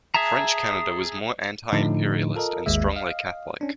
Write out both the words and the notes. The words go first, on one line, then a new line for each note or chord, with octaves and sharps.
French Canada was more anti-imperialist and strongly Catholic.
G#4 E5 A5 A#5
A2 D3 F3 D#4
F4 A4 A#4 D#5
G#1 D#2 G#3 E5
D#5 F5
C#4 D4